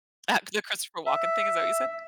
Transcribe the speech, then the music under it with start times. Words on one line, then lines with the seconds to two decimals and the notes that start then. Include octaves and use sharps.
Uh, the Christopher Walken thing, is that what you said?
1.06 E5